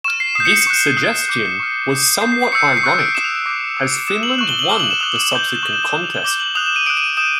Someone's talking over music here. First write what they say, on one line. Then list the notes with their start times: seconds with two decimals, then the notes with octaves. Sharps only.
This suggestion was somewhat ironic, as Finland won the subsequent contest.
0.04 C#6 F6 E7
0.20 C7
0.35 D#6 C7
0.40 G6
0.45 C#7
0.57 C7
0.67 C#6 F#6
0.97 D#6 F#6 C7
1.28 D6 F#6
1.60 C#6 F6
1.91 D#6 G6
2.21 D#6 G6 C7
2.32 C7
2.42 C7
2.52 C#6 E6 G6 C#7
2.77 C7
2.83 C#6 F#6 C#7
2.99 D7
3.15 D#6 G6 E7
3.24 F7
3.35 E7
3.46 D6 G6
3.77 D#6 F#6
4.07 D#6 F#6 E7
4.23 F#7
4.38 C#6 F#6 F#7
4.49 G7
4.59 F#7
4.69 D6 F6 G7
4.80 F#7
4.90 E7
5.00 D#6 F#6 F7
5.16 G7
5.31 D6 G6 G7
5.62 C#6 F#6 F#7
5.73 E7
5.83 E7
5.93 D#6 F#6 E7
6.04 F7
6.14 G7
6.24 D6 G6 G7
6.40 F#7
6.55 D#6 F#6 F7
6.66 E7
6.76 D#7
6.86 D#6 F#6 D7
6.97 D#7
7.17 D#6 G6 E7